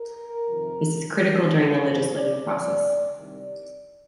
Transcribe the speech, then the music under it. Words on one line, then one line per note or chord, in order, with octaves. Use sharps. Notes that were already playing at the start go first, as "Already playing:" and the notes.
This is critical during the legislative process.
Already playing: A#4
F2 C3 D#3
C2 C3 F3
G2 F3 C5
D5
C2 A#2 F3 D5
C2 C3 D#3